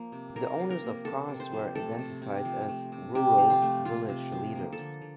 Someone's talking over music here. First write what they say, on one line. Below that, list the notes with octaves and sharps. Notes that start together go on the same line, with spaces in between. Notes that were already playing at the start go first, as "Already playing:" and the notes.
The owners of cars were identified as rural village leaders.
Already playing: F3 A#3
C3
C3 A#4
F3
A#4
A#3
C3 A4
C3
C5
F3
A3 A4
C3
C3
F3
A3
C3
C3 G4
F3
F4
A3
C3 F4
C3
F3
A#3
A4
D3
D3